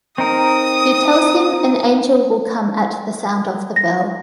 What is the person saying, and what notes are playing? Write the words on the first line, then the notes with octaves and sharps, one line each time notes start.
He tells him an angel will come at the sound of the bell.
C4 D#4 A#4 D#6
A#6